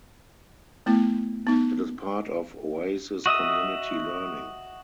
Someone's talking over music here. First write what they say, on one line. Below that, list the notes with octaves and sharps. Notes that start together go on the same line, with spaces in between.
It is part of Oasis Community Learning.
A3 B3 E4
B3 D#4
F#4 D#5 E5 D#6